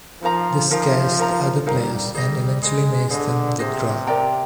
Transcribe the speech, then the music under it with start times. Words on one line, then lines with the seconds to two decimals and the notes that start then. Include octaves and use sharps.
This scares the other players and eventually makes them withdraw.
0.22 F3 D#4 A#4 F5 A#5
0.70 F3 D#4 A#4 F5 A#5
1.18 D#4 A#4 F5 A#5
1.66 G3 D#4 A#4 F5 A#5
2.15 G3 G#4 C5 D#5
2.62 G#3 G#4 C5 D#5
3.10 D3 G#4 C5 D#5
3.59 C3 G#4 C5 D#5
4.07 A#4 D5 G5 A#5